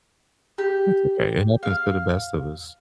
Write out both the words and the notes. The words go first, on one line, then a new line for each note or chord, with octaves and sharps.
That's okay. It happens to the best of us.
G4
F5